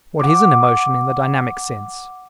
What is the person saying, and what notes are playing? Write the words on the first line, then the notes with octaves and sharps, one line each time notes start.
What is an emotion in the dynamic sense?
F#5 D6